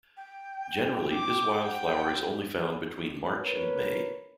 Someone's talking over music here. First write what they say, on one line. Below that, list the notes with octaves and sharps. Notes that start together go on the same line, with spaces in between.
Generally this wildflower is only found between March and May.
G5
D6
F#5 G5
A#4 B4 C#5